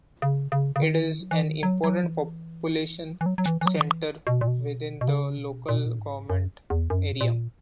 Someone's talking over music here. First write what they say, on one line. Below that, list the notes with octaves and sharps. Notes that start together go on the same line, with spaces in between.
It is an important population centre within the local government area.
C#3
C#3
C#3
D#3
F#3
E3
D#3
F#3
F#3
E3
E3
F#3
F#3
E3
E3
F#3
D#3
E3
B2
A#2
B2
B2
C#3
B2
A#2
B2
A#2
G#2
F#2
E2
F#2
B2
A#2